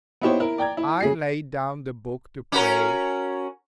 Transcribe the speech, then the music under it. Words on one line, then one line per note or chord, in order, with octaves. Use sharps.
I laid down the book, to pray.
B3 D#4 E4 G4 C5 C#5
E4 A#4
D5 G5 A#5 G#6
E4
C#3 G#4 C7
C#4 F#4 A#4